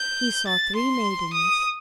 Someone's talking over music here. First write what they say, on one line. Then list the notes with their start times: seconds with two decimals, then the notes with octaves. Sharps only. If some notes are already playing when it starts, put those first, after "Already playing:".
He saw three maidens.
Already playing: G6
0.47 A6
0.76 C6
1.33 D#6